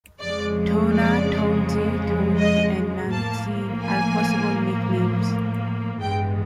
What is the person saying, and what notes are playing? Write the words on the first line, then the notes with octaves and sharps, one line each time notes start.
Tona, Tonzi, Toni, and Nantzin are possible nicknames.
F2 C#3 F3 G#3 D5
D5
D#5
A2 F3 A#3 A5
G#5
A1 G2 E3 G#3 B3 G5